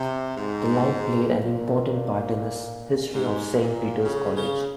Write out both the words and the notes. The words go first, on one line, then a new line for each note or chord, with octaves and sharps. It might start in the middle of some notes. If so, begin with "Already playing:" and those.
The line played an important part in the history of Saint Peter's College.
Already playing: C3
G#2
A#2
G#2
A#2
C#3
C#3